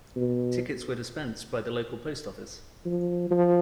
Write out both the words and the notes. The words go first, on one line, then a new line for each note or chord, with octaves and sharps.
Tickets were dispensed by the local Post Office.
B2
F3
F3